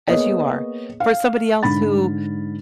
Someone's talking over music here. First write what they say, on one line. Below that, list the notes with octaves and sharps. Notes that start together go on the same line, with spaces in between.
as you are, for somebody else who
A#3 B3 G#4 C#5 D#5
F5
G#2 D3 B5 A6